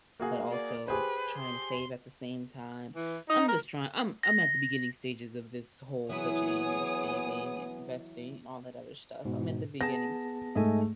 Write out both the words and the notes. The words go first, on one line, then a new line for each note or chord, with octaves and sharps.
but also trying to save at the same time. I'm just trying I'm I'm at the beginning stages of this whole budgeting and saving and investing and all that other stuff. I'm at the beginning
A#3 F#4 G#4
D5
G4 G#4 B4 C5
C6
E3
D#4
A#4
A#6
E3 F#3 B3 E4 G#4 C#5 D#6
G#2 B2
B3 G#4 A5 A#6
G#2 A3 D#5 E5 G#5